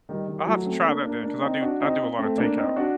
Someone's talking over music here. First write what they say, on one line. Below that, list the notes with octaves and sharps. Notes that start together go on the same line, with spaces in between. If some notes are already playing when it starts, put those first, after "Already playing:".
I'll have to try that then 'cause I do I do a lotta takeout.
D#3 G3
D#3 G3
F#3 A3
A3 C4
A#3 D4
A#3 D4
A#3 D4
C4 D#4
D4 F#4
C4 D#4
A3 C4
A#3 D4
C4 D#4
D4 F#4